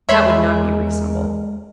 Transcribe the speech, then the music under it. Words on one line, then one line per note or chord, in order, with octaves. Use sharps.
That would not be reasonable.
E2 G#3 A#4 C#5 E5 B5 C6